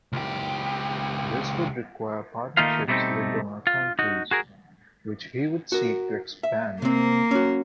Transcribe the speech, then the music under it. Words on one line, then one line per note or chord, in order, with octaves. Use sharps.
This would require partnerships with donor countries, which he would seek to expand.
C#2 G4
D#3 A3 A#3 D#4 F4 F5
B2 G3 A3 A#3 C4 D#4
F4
D#4 F#4
F#4 G#4 A#4
F#4 A#4
E5
C3 A#3 C4
C#4 F#4